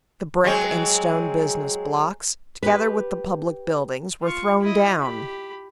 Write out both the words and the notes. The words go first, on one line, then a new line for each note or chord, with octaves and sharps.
The brick and stone business blocks, together with the public buildings, were thrown down.
F#3 G#3 C4
G4 B4
F4 C#6
E4 D#5
G4 B5